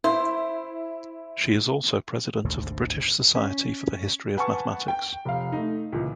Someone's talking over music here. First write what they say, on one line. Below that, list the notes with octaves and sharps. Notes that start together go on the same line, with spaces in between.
She is also president of the British Society for the History of Mathematics.
E4 C5
G#1 D2 G#2 C3
C#4
B4 F#5 G#5 A5 C#6
G5
F1 F5
A3 D#4
C#2 A#2 E3